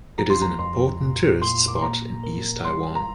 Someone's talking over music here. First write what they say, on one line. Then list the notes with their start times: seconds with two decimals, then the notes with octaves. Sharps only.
It is an important tourist spot in East Taiwan.
0.18 F3 A#5
0.30 C6
0.41 A#5
0.59 F2 C6
1.01 A#2
1.42 A#2 C6
1.68 D6
1.76 C6
1.82 A#3 A#5
2.24 A#4
2.65 G3 C6
2.95 A#5